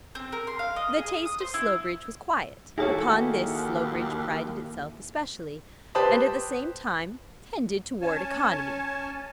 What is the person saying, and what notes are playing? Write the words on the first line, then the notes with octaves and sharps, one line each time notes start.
The taste of Slowbridge was quiet,--upon this Slowbridge prided itself especially,--and, at the same time, tended toward economy.
C4
A#4
C6
F5
D#5
G#4
D#6
D#6
C5
E4
D#2 D#4 E4 F#4 G#4 A4 C#5
G4 B4 C5 A5 B5 D#6
C#4 C#5 G#5 A5